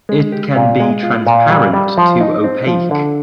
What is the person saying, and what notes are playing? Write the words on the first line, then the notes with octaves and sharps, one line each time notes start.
It can be transparent to opaque.
G#3
G4
A#2
G#3
F4
A#2
G3
G3
F3
D#4
C4
F3
D3